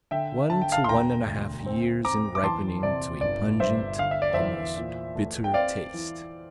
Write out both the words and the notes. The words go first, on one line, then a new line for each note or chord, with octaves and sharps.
One to one-and-a-half years in ripening to a pungent, almost bitter taste.
D3 E5 G5
D3 A5
G5
F5 A5
C6
E1 G5 A#5
D2
C4
C4 A#5 D6
D6
E2 A5 C6
C3 D5
G1 D5
G2 C5 E5
D3 F5
E5
D5
E2 C5 E5
A#2
A3
G5
C4 D5 F5
E3